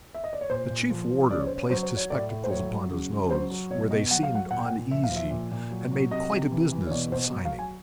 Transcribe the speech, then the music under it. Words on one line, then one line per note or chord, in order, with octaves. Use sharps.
The chief warder placed his spectacles upon his nose, where they seemed uneasy, and made quite a business of signing.
E5
D#5
D5
C#5
A#2 C5
A#2
F3
F3
C#3 D5
C#5
C5
C#3
C#5
F#3 C5
C5
F#3
C#5
A2 D5
A2
C5
F#3 C#5
F#3
C#3
C#3
F#3 C5
F#3
B2 C#5
B2 D#5
F#3 F#5
F5
F#3 F#5
A#2 F#5
G5
F#5
A#2
F3 E5
F5
F3 E5
A#2
A#2
F#3
F#3
C3 D#5
C3
E3
E3
C#5
B2 D5
B2 C5
F#3
F5
F#3
G#5